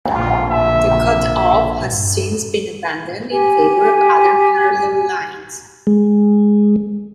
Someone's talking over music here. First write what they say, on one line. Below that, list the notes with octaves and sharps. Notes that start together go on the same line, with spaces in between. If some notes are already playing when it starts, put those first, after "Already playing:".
The cutoff has since been abandoned in favor of other parallel lines.
A#1 F4
E5
G2
G4 G#5
G#3